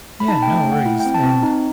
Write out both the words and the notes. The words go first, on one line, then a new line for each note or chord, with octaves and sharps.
Yeah, no worries, and,
B5
D#4 A5
G5
A3
G5
A3 F#5
E4
G5
C4
A5
C4
D#4